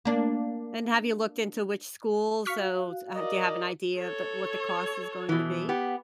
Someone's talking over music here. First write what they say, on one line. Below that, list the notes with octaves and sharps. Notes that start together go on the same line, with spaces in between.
And have you looked into which schools? So, s uh, do you have an idea of th what the cost is going to be?
A#3 D4
F#4 F5 C#6 F6 B6
A#4 D5 D#5
A4 C#5
B2 E3
B3 G4